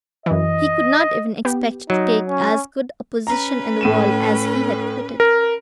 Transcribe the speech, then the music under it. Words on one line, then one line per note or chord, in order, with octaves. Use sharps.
He could not even expect to take as good a position in the world as he had quitted.
F#2 E3 D#5
B3 G4
F#3 D#4
C#4
C#4 B4 A#5
A2 D#7 E7
A#4